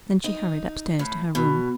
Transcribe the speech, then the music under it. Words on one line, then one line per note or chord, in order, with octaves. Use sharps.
Then she hurried upstairs to her room.
D#4
A2
B2